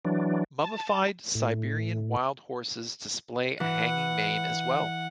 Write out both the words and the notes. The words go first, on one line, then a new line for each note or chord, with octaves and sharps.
Mummified Siberian wild horses display a hanging mane as well.
E3 F#3 D4
A5
A2
E3 F#5